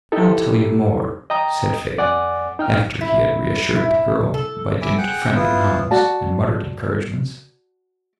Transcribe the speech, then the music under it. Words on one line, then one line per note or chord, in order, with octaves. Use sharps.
'I'll tell you more,' said Fagin, after he had reassured the girl, by dint of friendly nods and muttered encouragements.
D#4 E4 G4 A4
D#5 G5 A#5 D#6
F2 D5 F#5 G#5 D6
D#4 G5 F6
E4
E4
A4
E5 G#5 B5 D6
G#4 F#5 G5
B3 E4 F4
F#4 D5 A5